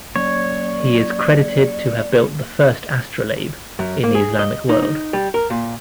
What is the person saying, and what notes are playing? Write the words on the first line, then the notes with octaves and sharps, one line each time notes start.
He is credited to have built the first astrolabe in the Islamic world.
F#3 A#3 C#4 C#5 D5
F#2
A#3
G#4
D#5
D#4
D#4
G3
A#4
A#2